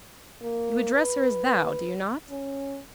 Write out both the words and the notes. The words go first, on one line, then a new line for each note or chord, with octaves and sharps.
"You address her as thou, do you not?"
A#3
B4
C#4